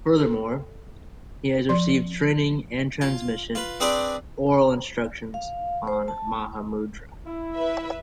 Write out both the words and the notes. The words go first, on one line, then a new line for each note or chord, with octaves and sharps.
Furthermore, he has received training and transmission, oral instructions on Mahamudra.
A4
F3 D5 C6
F4
F4 B4
C4 D4 G#4 B4 C5 D5
F5
C5
A5
E4
B4 E5